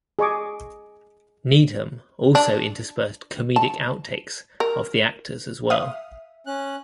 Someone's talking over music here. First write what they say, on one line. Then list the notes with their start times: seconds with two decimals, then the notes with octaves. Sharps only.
Needham also interspersed comedic outtakes of the actors as well.
0.19 G#4 D#5 C#6 D6
2.35 D4
3.56 A5
4.60 A#4
5.70 E5 F5 D#6
6.47 C#4 F#6